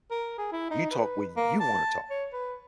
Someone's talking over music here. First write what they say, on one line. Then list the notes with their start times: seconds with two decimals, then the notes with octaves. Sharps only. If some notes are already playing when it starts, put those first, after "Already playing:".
you talk when you wanna talk.
0.11 A#4
0.38 G#4
0.52 E4
0.71 D#4
0.91 B4
1.36 A#3
1.60 A5
2.10 C#5
2.33 B4